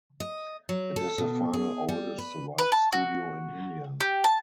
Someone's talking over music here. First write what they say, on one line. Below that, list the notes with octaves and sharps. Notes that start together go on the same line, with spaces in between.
It is the final oldest survived studio in India.
D#5
F#3
A4
B2
G#4
G3
B4
B4
A5
F#4
G4
A5